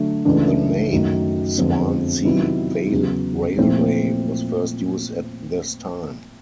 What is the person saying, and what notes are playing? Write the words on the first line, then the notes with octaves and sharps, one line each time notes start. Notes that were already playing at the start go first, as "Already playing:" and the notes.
The name "Swansea Vale Railway" was first used at this time.
Already playing: D3 F#3 A3 D4 F#4
C#2 C#3 E3 A3 D4
F#2 D#3 F#3 A3
F2 D3 F3 G#3 B3
C3 D#3 F#3 B3 E4
E2 C#3 F#3
A#2 F3 A3 C4 E4